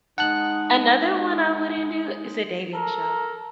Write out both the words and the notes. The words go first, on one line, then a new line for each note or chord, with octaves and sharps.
Another one I wouldn't do is a dating show.
G#3 D#4 F#5 A5 F#6
A4 A#4